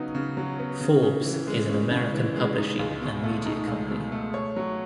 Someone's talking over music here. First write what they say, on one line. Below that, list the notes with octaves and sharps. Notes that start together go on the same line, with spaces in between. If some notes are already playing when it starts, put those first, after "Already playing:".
Forbes is an American publishing and media company.
Already playing: C#3 F#3 B3 D#4
C#3
F#3
B3
C#3
C#3
E3
G#3
C#3
C#3
E3
G#3
D#4
C#2
B2
A3
D#4
C#2
B2
A3
C#5
F#3